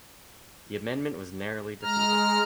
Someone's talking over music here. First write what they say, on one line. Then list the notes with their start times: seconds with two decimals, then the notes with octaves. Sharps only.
The amendment was narrowly defeated.
1.82 G#3 A#5 F6